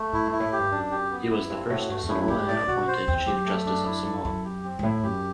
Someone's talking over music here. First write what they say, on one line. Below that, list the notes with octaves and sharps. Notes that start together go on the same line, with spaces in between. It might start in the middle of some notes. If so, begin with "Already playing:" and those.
He was the first Samoan appointed Chief Justice of Samoa.
Already playing: A3
A2 E4
G2
E4
A2
G4
G2
F#2 D4
G4
B3
E4
G2 C4
A2 F#4
G2 A3
E2
E4
F#2
G2 G4
A2 D5
B2 F#4
C5
E2 C4
F#2 G4
A3
D4
E4
A4
F#2 E4
G4
C4
G2
A2 E4
F#2 G4